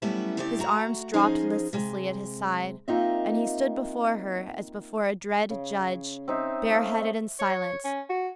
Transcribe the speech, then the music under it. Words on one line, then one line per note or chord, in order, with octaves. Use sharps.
His arms dropped listlessly at his side, and he stood before her, as before a dread judge, bareheaded and silent.
F#3 G3 A3 B3 C#4 E4
C#3 A3 C4 E4 G4 D5
A3 F#4 A#5
F3 C#4 D#4 G#4 C5 D#5
C3 G#3
A#3 C4 D#4 F4 D#5 E5
C#3
C4 D#4 E5
A3 E5 F5
C#5
C#4
F#4